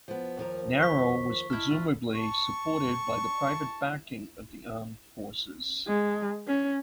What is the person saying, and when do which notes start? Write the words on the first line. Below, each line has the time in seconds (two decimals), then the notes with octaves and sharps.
Naro was presumably supported by the private backing of the armed forces.
0.08 F3 B3
0.37 D#2 F3 A#4
0.80 C#6 B6
1.50 E4 D#5 A5 F6
1.70 D4 E4 F4
2.15 A5 C#6
5.87 G#3
6.48 C#4